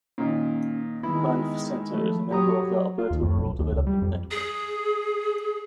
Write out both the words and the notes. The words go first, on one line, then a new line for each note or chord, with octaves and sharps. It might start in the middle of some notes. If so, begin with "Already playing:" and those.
Banff Centre is a member of the Alberta Rural Development Network.
A#2 D#3 C#4
D#3 G#3 B3 E4
F3 A3
F#3 G4 A#5 D#6
F4
D#2
F2
B1
D#2
C#2
G3
F2
G#4